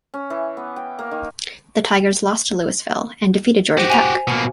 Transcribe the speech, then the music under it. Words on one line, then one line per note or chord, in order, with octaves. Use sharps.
The Tigers lost to Louisville and defeated Georgia Tech.
C#4
E3
B3
G5
A#3
D#3
F#4 G4 C5 D#7
G#5 F7
B2 A#3